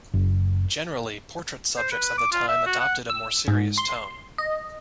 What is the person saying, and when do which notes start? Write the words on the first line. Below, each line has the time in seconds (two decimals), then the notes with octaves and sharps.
Generally, portrait subjects of the time adopted a more serious tone.
0.14 F#1
1.77 C5
1.92 B4
2.18 D6
2.32 F4
2.49 E5
2.66 F#4
2.80 F#5
3.10 E6
3.48 G#2
3.78 C6
4.38 D#5